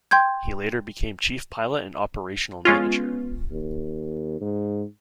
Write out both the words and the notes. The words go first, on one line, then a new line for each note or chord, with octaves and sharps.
He later became Chief Pilot and Operational Manager.
G5 C6 G6 G#6
G#3 B3 C#4 F4
D#2
G#2